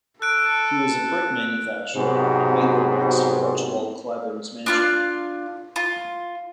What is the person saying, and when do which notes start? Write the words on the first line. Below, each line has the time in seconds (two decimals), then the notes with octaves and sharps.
He was a brick manufacturer and made the bricks for Archibald Clybourne's mansion.
0.22 A4 F#6 D7
1.95 G#2 C3 F#3 B3 C4 F#4
4.66 D4 F4 F5
5.76 F4